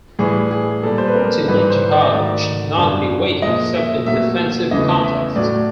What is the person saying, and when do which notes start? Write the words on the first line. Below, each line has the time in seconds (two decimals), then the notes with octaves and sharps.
Accordingly, jihad should not be waged except in defensive contexts.
0.19 A2 E3 G3 G#4
0.51 G#4
0.83 A#2 G3 A4
0.98 C5
1.07 B4
1.16 A#4
1.48 G#2 E3 G3 B4
1.70 C5
1.92 D5
2.01 D#5
2.11 G#2 D#3 F#3 A3 D5
2.77 F#2 D3 G3
3.42 A#2 F3 G#3 D#5
3.75 E5
4.06 A#2 F#3 A3 E5
4.71 E2 C#3 E3 A3 D#5
5.03 E5
5.36 A2 F#3 A3 D5